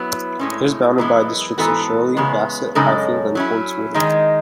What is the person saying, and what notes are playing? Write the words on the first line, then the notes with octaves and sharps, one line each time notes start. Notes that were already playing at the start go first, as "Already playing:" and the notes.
It is bounded by the districts of Shirley, Bassett, Highfield and Portswood.
Already playing: F#3 B3 E4
A2 G#3 C#4
F#2 E3 G#3 B3
G#2 E3 B3 F#4 A4
E2 C#3 G#3 B3
F#2 C#3 G#3 D#4 A4
F#3 C#4 E4
D#3 G#3 D#4